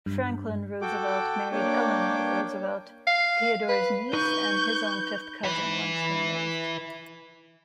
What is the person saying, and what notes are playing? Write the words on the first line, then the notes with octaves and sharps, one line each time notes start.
Franklin Roosevelt married Eleanor Roosevelt, Theodore's niece and his own fifth cousin once removed.
G2
F#4 A4 G5 D6
A#3 D4 C#5 G5 D6
F5
B4
D#4 B4 C#6 G6
E4 B4